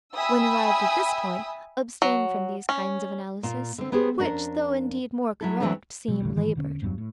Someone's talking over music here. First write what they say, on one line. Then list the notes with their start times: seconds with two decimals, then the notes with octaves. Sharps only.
When arrived at this point, abstain from these kinds of analysis, which though indeed more correct, seem labored.
0.15 E5 G5 G#5 B5 D#6 E6
2.02 F#3
2.69 C#4
3.43 A#2 F4
3.78 D3 C4
3.92 B3 G4 G#4 C5
4.18 F2 C#4 D4 A#4
5.41 F#3 E4 A4
5.60 E3 F#3 A3 C4 D4
6.08 B2 F#3
6.20 E1 A#1 A2 D3
6.35 G#2 D#3 E3 G3
6.55 E1 D3 C#4
6.82 F1 E2 G2 F#3
6.98 A2